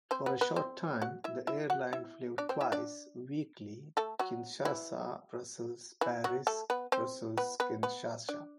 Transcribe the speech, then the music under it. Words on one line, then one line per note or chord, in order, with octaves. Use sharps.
For a short time, the airline flew twice weekly Kinshasa-Brussels-Paris-Brussels-Kinshasa.
C4 C5
B3 B4
B3 B4
C4 C5
F#4 F#5
E4 E5
E4 E5
F#4 F#5
E4 E5
D4 D5
C4 C5
E4 E5
D4 D5
A3 A4
F#3 F#4
E3 E4
E3 E4
F#3 F#4
A3 A4
B3 B4
C4 C5
B3 B4
B3 B4
B3 B4
D4 D5